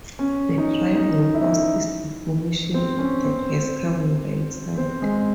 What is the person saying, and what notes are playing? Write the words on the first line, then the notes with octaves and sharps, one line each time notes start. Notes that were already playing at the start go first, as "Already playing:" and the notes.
The driving force is the formation of the gas carbon dioxide.
C#4
D#4
D#4
E4
C4
C#4
C4
C4
G#3